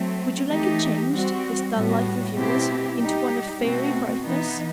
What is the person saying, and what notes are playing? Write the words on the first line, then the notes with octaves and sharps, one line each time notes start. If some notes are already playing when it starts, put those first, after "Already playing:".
"Would you like it changed--this dull life of yours--into one of fairy brightness?"
Already playing: F#3 A3 C4
E3 A3 D#4 G4
G3 C4 F#4
A2 G3 B3 F#4
B2 A3 C4 E4 G4
G3 D#4 G4
B2 A3 C4 F#4
E3 B3 D#4